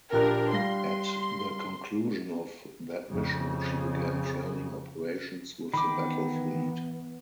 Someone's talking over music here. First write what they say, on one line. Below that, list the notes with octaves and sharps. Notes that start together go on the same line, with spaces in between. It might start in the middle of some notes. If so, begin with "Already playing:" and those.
At the conclusion of that mission, she began training operations with the Battle Fleet.
A#1 D4 G4 A#4 F#6
G3 F5 C6 A#6
F2 C#3
D#3 E3 B3 B5 D6